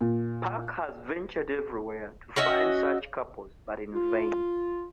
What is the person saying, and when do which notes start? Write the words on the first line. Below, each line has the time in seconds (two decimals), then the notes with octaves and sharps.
Puck has ventured everywhere to find such couples, but in vain.
0.01 A#2
2.36 C#4 F#4 D#5 E5
3.95 F4